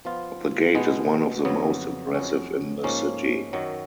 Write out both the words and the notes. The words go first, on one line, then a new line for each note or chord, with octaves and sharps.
The gate is one of the most impressive in the city.
F3 B3 F4
B2 G#3 B3
F2 C#3 F#3 B3
F2 D#3 F#3 C#4
G#2 F3 A#3 C#4
F#2 D#3 F#3